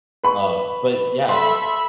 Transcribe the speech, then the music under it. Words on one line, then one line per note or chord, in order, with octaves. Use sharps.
um, but yeah
B4 B5 C#6
A4 E5 B5 C6